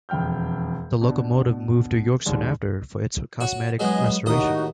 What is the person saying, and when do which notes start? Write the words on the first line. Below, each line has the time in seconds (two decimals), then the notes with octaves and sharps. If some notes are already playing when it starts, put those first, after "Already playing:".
The locomotive moved to York soon after for its cosmetic restoration.
0.09 E1 F2 G5 F6 G6
1.01 B2 B3 D4
2.26 D#2 G#2 D5
3.40 F#4 C#5
3.80 F#3 G#3 B3 G#4 D#5
4.26 D#2 A2 D#4 F#4 D#6